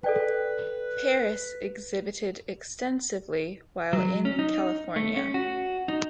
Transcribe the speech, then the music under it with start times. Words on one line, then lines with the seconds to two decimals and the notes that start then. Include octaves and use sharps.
Paris exhibited extensively while in California.
0.04 A4 B4 D5 G5
3.93 F#3
4.25 C#4
4.39 D#4
4.96 A3
5.17 C#4
5.34 F#4
5.88 D#4